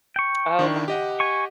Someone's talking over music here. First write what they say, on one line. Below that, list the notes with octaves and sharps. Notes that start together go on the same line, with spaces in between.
Oh, my god.
G5 C#6
D#3 D4 E4
G4 D#5 F#5
G#5 C#6